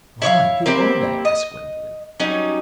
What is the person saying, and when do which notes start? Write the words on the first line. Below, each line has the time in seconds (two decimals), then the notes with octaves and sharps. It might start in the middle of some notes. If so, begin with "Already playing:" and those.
"Why, who are they?" asked Gwendolen.
0.22 E4 C#5 D5 F5
0.66 A#3 C4 E4 G4
1.25 D#5
2.20 F#3 G3 C#4 D#4